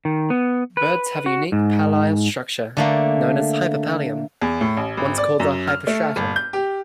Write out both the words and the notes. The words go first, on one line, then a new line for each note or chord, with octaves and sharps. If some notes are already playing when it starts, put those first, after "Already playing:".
Birds have a unique pallial structure known as the hyperpallium, once called the "hyperstriatum".
D#3
B3
B4
F#4
G#2
D3 A3 A#3
E2
A2
A1
G#1
D5
F#2
F6
A3
G1
G6
G4